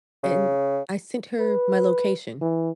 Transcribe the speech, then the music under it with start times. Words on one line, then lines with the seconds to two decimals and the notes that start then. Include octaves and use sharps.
And I sent her my location
0.23 C#3
1.40 B4
2.41 E3